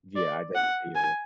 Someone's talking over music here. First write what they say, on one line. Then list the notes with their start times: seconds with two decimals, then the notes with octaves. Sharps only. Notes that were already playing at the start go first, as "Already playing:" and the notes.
Yeah. I def yeah.
0.16 D5
0.55 F#5
0.95 G#5